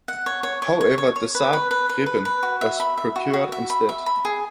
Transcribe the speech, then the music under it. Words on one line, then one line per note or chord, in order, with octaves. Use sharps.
However, the Saab Gripen was procured instead.
F#5
C#5
C#5
C#5
C#5
C#5
C#5
B4
B4
B4
B4
B4
B4
F#4
E5
B5
E5
F#4
F#4
E5
B5
E5
B5
G#4